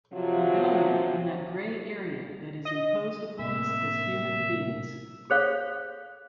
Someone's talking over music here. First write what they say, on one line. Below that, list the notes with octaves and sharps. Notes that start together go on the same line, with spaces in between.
Rebellion in that grey area that is imposed upon us as human beings.
C3 F3 F#3
D#5
A2 C3 A#3 E5
G#4 A4 C5 C#5 F5